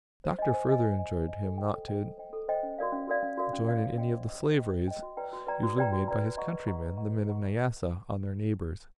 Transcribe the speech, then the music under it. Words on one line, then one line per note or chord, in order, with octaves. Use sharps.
The Doctor further enjoined him not to join in any of the slave raids usually made by his countrymen, the men of Nyassa, on their neighbours.
C5
D#5 G#5
C5
D#5 G#5
C5
D#5 G#5
C5
D#5 G#5
A4
C5 D#5 G5
A4
C5 D#5 G5
A4
C5 D#5 G5
A4
C5 D#5 G5
C#4
F#4 A#4 D5 F5
C#4
F#4 A#4 D5 F5
C#4
F#4 A#4 D5 F5
C#4
F#4 A#4 D5 F5
C5
D#5 G5
C5
D#5 G5
C5
D#5 G5
C5
D#5 G5
F#4
B4 D5 G5 A#5
F#4
B4 D5 G5 A#5
F#4
B4 D5 G5 A#5
F#4
B4 D5 G5 A#5
B4
D#5 F#5 A#5 C#6
B4
D#5 F#5 A#5 C#6
B4
D#5 F#5 A#5 C#6
B4
D#5 F#5 A#5 C#6